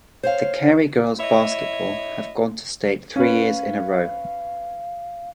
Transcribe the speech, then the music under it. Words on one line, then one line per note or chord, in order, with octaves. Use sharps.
The Carey girls basketball have gone to state three years in a row.
C5 C#5 F5
E4 C#5 D#5 E5
C#4 B4 F5